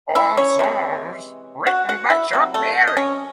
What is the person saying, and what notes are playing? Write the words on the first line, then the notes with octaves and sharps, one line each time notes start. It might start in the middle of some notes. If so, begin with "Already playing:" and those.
All songs written by Chuck Berry.
E4 E5
C#4 C#5
C3 E3 G#3
F#4 F#5
F#4 F#5
E4 E5
C3 F#3
A3 A4
D#5
C#4 C#5